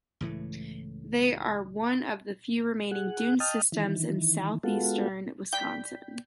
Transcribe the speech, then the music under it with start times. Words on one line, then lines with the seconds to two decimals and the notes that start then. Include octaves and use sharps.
They are one of the few remaining dune systems in Southeastern Wisconsin.
0.21 C#2 A2 E3 A3
2.91 G#4 F#5
3.40 D#5 G5 A5 D#6 F6
3.72 D#3 E3
4.63 G#3 B3 F4 F#4 A4
5.53 G3 G5 G6 B6